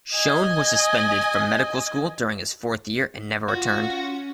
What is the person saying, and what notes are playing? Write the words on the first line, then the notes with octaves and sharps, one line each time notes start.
Shoen was suspended from medical school during his fourth year and never returned.
D#5 G#5
F4 F#4
C#4